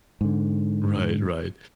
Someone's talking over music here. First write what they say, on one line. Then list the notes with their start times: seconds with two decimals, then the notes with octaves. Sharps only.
Right, right.
0.21 G#2 D3